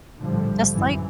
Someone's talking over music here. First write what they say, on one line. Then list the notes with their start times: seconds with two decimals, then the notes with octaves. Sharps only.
just, like,
0.21 A#1 A2 D3 F3 G3
0.71 F#2 E3